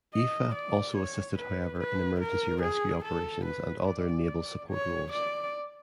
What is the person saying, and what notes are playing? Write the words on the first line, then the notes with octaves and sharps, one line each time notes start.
"Aoife" also assisted however in emergency rescue operations and other naval support roles.
D#5
D5
C#5
B4
B4
A#4
G#4
A4
B4
D5
C#5
D5